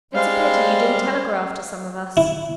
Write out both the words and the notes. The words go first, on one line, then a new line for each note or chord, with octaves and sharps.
"It's a pity you didn't telegraph to some of us."
G3 G#3 C5 F5
E4